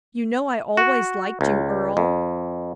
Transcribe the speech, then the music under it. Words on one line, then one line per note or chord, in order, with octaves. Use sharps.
"You know I always liked you, Earle."
F#4
C#2
F2